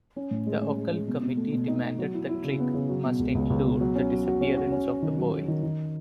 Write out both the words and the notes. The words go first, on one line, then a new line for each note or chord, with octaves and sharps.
The Occult Committee demanded the trick must include the disappearance of the boy.
C#4
A2
G#3
C#4
G#3
G#3
B2
B2
A3
B2
D#4
B2
F#3
E4
E4
C#3
B3
C#3
F#3
B2
C#2
C#2
C#2
B2
F#3
C#4
F#3
F#4
C#4
F#4
C#4
C#4
D#3
F#3
F#3
D#3
D#3